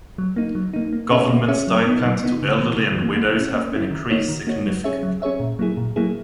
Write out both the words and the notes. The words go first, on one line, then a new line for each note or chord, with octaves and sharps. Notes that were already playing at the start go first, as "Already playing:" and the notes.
Government stipend to elderly and widows have been increased significantly.
F#3
A#3 D#4
F#3
A#3 D#4
A#3
C#4 G#4 C#5 E5
A#3
C#4 G#4 C#5 E5
F#3
B3 D#4
F#3
B3 D#4
C#3
E3 A#3
C#3
E3
A#3
A#3
C#4 E4
A#3
C#4 E4
D#3
A#3 D#4 F#4 C#5
D#3
A#3 D#4 F#4 C#5
F#3
C#4 G#4 C#5 E5
F#3
C#4 G#4 C#5 E5
A#2
F#3 A#3 E4 G#4
A#2
F#3 A#3 E4 G#4